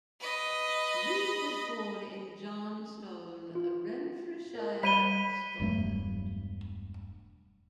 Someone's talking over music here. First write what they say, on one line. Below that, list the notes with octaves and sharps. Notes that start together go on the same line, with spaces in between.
Reid was born in Johnstone, Renfrewshire, Scotland.
B4 D#5
F4
A#4 D#5
G3 C5 D5 B5 B6 D#7 G7
E1 G2 F#3 A3